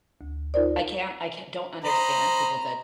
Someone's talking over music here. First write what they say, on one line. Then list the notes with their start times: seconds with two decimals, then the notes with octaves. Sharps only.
I can't, I can don't understand people that
0.21 D2
0.54 D#4 F4 A#4 C5 D5
1.84 C5 D#5 A#5 B5